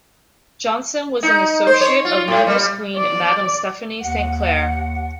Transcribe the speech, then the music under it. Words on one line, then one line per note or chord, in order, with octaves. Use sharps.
Johnson was an associate of numbers queen Madame Stephanie Saint Clair.
D#4
C5
C#5
F4
A2
G3
D5
D#2 F#5